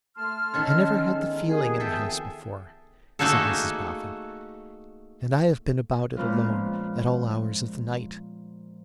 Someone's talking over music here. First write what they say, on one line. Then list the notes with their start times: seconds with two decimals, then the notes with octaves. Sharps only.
'I never had the feeling in the house before,' said Mrs Boffin; 'and I have been about it alone at all hours of the night.
0.17 A3 A5 C6 F6
0.54 D#3 C#4 A4 C#5
1.13 E2 G#3 D#4
1.47 F3 B3 G4 G#4 A#4
1.80 F2 A4 E5 G5
3.19 A3 A#3 D#4 F#4 G#4 A4
6.17 A#2 F3 G#3 B3 C#4 F4